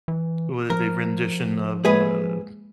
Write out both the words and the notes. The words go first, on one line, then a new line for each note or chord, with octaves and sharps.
W the rendition of, uh,
E3
F3 A#4
G#3 A#3 G#4 B4 G#5 B5